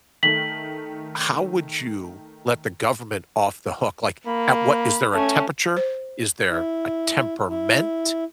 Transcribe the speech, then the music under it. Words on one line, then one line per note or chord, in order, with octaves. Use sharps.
How would you let the government off the hook? Like, at what is there a temperature? Is there a temperament
D#3 A3 B6 F#7
A#3 B5
A3 C#4
C5
E4
E4